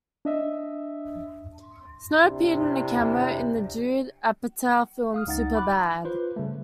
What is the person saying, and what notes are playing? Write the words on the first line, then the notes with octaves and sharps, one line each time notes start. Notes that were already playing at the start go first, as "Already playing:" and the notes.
Snow appeared in a cameo in the Judd Apatow film "Superbad".
D4 D#5 E5
C3 D4 E4
F5 D#6 F6
C#2 D#4 F#5 A6
B5 D6 F#6
F4 B4 C5
C#3 G3 A3